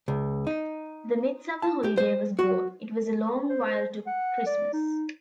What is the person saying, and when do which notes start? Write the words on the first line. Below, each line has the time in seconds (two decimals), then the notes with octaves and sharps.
The midsummer holiday was gone; it was a long while to Christmas.
0.08 C#2
0.47 D#4
1.62 A5
1.84 G4
1.98 C5
2.39 F#4
3.49 C5
4.07 F#5
4.46 D5
4.73 D#4